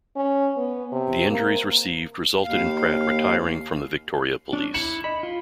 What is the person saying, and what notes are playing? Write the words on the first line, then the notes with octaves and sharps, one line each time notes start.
The injuries received resulted in Pratt retiring from the Victoria Police.
C#4
B3
C3
A#3
D#2 F5
C#4 D4
E4 C#7 E7 F#7
D#5 B5
F4